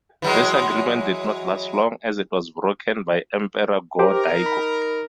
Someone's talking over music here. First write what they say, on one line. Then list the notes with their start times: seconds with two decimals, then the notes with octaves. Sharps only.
This agreement did not last long, as it was broken by Emperor Go-Daigo.
0.22 E3 F#3 G#3
3.99 D#4 G4 A#4 C5 D6
4.46 B5